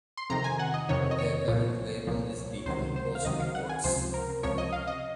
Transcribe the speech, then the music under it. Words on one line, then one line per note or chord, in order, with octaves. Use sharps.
Their current label is Decomposed Records.
C6
F2 C3 D#3 A#5
G#5
F#5
D#5
F2 C3 D#3 C#5
D#5
C#5
C2 A#2 F3
C2 A#2 F3
C#2 C3 D#3 F#3 C5
C5
F5
C#2 C3 D#3 F#3 D#5
F5
F#5
G#5
C#2 C3 F3 C5
A#4
C#2 C3 F3 C#5
D#5
F5
D#5